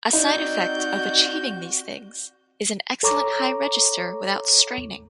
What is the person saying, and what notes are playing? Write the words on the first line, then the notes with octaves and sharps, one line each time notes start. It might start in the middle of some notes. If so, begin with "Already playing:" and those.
A side effect of achieving these things is an excellent high register without straining.
C4 D#4 F#4 D5 G6
A4 C#5 A#5 C#6 D6